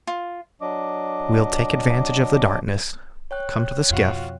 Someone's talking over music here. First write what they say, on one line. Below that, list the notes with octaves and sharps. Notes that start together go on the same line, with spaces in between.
We'll take advantage of the darkness. Come to the skiff.
F4
F#3 D4 D#5 D6
C#5 G5 F#6
F2 B2 F4 F#4